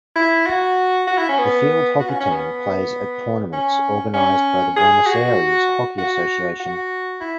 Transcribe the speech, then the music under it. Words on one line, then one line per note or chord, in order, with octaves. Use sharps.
The field hockey team plays at tournaments organised by the Buenos Aires Hockey Association.
E4
F#4
F#4
E4
C#4
B3
F#4
C#4
C#4
B3
C#4
C#4
G#4
F#4
F#4
F#4
E4